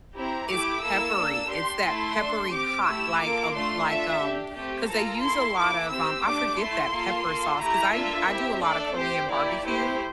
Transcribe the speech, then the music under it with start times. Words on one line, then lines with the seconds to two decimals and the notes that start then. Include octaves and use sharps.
It's peppery, it's that peppery hot, like a b like, um 'Cause they use a lot of, um I forget that pepper sauce, 'cause I I do a lot of Korean barbecue,
0.15 C4 E4 G4 A#5
0.49 A3 E4 G4 D6
0.83 A#3 E4 A4 E6
1.17 A#3 D4 A4
1.51 D4 G4 C6
1.84 A3 E4 A4 C6
2.19 D4 A4
2.52 C4 G4 D6
2.86 A3 E4 G4 E6
3.20 A#3 F4 A4 D6
3.54 A3 D4 F4 A4 C6
3.87 D4 F4 A4 E5
4.22 D4 G4
4.56 A3 C4 G4
4.89 A#3 F4 A4 A#5
5.23 A#3 E4 A4 C6
5.56 A#3 E4 A4 D6
5.90 C4 G4 E6
6.24 A3 D4 G4 D6
6.59 A3 E4 A4 C6
6.92 A#3 F4 A4
7.26 A#3 F4 A4
7.61 A3 E4 G4 A#5
7.93 A#3 D4 F4 A4 E5
8.28 C4 E4 G4
8.62 A3 D4 A4 D5
8.95 C4 G4 C5
9.29 A#3 E4 G4 D5
9.63 A3 E4 G4 C5